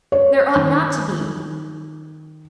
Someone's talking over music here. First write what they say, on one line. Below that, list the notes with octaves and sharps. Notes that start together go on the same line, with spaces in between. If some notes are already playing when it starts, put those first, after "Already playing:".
There ought not to be.
C#5
D#3